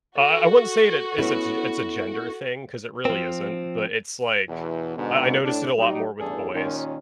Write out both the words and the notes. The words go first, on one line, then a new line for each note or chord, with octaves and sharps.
uh, I wouldn't say it it is a t it's a gender thing 'cause it really isn't, but it's like, I I noticed it a lot more with boys,
F#4 A4
B3 C#4 E4
F3 C4
E2 B2
G#2 B2 D3
A2 D4
F#3 G3 D#4
A1 E2 G2 G3 G#4 A4
D#2 A#2 D#3 C#4 F4